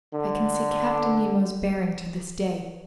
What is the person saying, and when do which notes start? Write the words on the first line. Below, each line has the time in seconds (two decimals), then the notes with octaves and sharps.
I can see Captain Nemo's bearing to this day.
0.14 D3